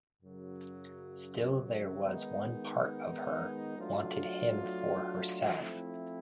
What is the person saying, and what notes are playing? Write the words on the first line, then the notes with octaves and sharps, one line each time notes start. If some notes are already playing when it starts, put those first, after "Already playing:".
Still there was one part of her wanted him for herself.
F#2 C#3 F#3
D#3 G#3 B3 D#4
F#3 A3 D4 F4
F3 A3 C4 E4